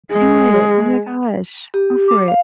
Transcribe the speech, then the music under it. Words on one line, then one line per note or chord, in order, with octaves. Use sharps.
Do it. Oh my gosh. Go for it.
G#3
G4
D6
F5